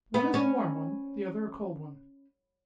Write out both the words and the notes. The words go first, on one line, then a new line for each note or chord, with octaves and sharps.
"One is a warm one, the other a cold one!"
B3
C#4